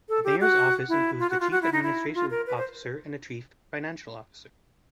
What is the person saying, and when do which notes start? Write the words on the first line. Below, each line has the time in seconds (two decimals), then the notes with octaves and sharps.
The Mayor's office includes the Chief Administrative Officer and the Chief Financial Officer.
0.09 A4
0.24 G4
0.41 F#4
0.89 E4
1.20 F4
1.30 F#4
1.40 F4
1.51 F#4
1.62 E4
1.73 D#4
1.83 E4
2.15 F4
2.30 A#4
2.47 B4
2.57 C5